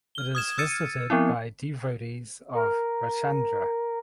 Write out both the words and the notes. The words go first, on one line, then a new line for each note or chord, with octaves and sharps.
It is visited by devotees of Rajchandra.
F6 G7
D#6 G#6 E7
E6 F6 G#6 A6 C#7 D#7
F3 B3 C4 E4
A#4